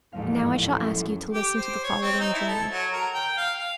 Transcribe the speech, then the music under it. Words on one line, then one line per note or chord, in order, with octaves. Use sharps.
And now I shall ask you to listen to the following dream.
A1 D#2 G#2 F3 F5
F#2 A4 G5
G4
C5
C#5
C4
D#4
E4
A4
F#3
A#4
G5
F5
F5